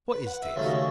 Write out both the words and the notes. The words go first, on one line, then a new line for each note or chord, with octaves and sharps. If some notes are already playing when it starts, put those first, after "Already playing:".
What is this?
B4
F#5
E5
D#2 C#3 F#3 A3 E5
D#5
C#5